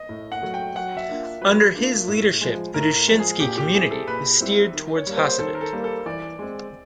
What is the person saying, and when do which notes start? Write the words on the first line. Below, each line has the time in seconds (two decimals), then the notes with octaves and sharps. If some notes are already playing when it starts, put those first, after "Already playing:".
Under his leadership the Dushinsky community was steered towards Hasidut.
Already playing: D#5
0.09 A2
0.32 F#5
0.42 F#3 A3
0.54 G5
0.75 F#3 F#5
0.97 E5
1.08 A#3 D4 F4
1.41 F#3 B4
1.74 A#3 D4 F4
2.08 A2
2.41 F3 G#3
2.74 A2 A#4
3.08 F3 G#3
3.19 G#4
3.40 A#2 G4
3.58 G4
3.73 G3 C4 E4 G#4
3.91 A4
4.07 A#2 B4
4.40 G3 C4 E4
4.73 D#3
4.96 C#5
5.06 G3 A#3
5.18 C5
5.39 D#3 A4
5.55 A#4
5.61 A4
5.73 G3 A#3
5.84 A4
6.06 E3 D5
6.39 G#3 C4